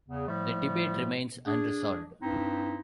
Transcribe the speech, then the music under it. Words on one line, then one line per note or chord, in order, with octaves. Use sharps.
The debate remains unresolved.
E2 C#3
A2 F3 G3 A3
D4 G#4
G2 C4 D#4 E4